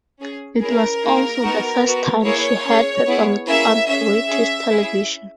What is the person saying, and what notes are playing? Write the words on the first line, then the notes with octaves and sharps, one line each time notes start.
It was also the first time she had performed on British television.
C#4 G#4
C#4 E4 G#4 A#4
A#3 D#4 G#4
B3 D#4 F#4
B3 F#4
A#3 E4 G#4 C#5
C#4 G#4
B3 E4 G#4
A#3 C#4 E4 G#4 E5
C#4 G#4 E5
C#4 G#4
C#4 E4 G#4